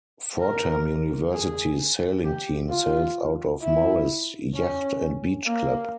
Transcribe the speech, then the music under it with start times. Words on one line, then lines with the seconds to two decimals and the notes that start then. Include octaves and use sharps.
Fordham University's Sailing Team sails out of Morris Yacht and Beach Club.
0.40 A#4
1.32 G#4
2.24 G4
2.70 F4
3.62 E4
4.55 C#4
5.46 A#3